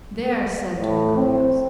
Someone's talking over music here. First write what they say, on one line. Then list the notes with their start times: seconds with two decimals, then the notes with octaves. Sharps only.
"There!" said Twinkleheels.
0.77 A2
1.16 C4